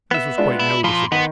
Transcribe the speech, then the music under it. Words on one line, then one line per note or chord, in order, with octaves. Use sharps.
This was quite noticeable.
B3 E5
G#3 D4 F4
E4
A#2 F3 B5 C6
D#3 B3